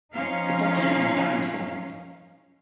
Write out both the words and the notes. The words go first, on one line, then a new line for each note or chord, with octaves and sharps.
The book is written in diary form.
F3 C#4 D#4 F5